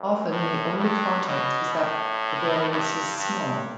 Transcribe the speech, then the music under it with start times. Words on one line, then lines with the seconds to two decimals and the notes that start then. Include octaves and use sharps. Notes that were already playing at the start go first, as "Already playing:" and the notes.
Often the only context is that the variance is "small".
Already playing: F#2
0.30 A2
0.77 G2
1.26 B2
1.74 A2
2.70 G2
3.18 G2